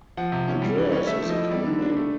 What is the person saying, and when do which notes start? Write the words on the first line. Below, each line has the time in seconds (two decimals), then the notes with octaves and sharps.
Andreas is a common name.
0.17 F3 F#5
0.32 C3
0.48 C#4
0.62 G3
0.78 E3
0.92 C#4
1.07 A3 E5
1.22 F3
1.30 D#5
1.36 E4
1.51 G3 D5
1.67 D3
1.82 D4
1.96 A3